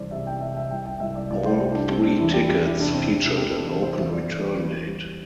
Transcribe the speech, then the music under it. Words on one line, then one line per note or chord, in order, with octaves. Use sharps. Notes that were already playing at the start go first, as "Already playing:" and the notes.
All three tickets featured an open return date.
Already playing: C2 E3 C5 D5
C3 E5
G5
C3 E5
E5
C2 G5
G5
C2 E5
D5
C2 D5
C5
C2 G4
D4
G3 C4
D4
E2 E4
G4
E2 G4
E4
C3 D4
C4
C3 D4
E4
C3 G4
A4
E3 A4
C5
E2 E5
D5
E2
E3
G3